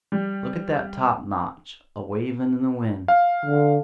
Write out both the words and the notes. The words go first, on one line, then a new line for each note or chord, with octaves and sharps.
Look at that topknot a wavin' in the wind!
G3
F5
D3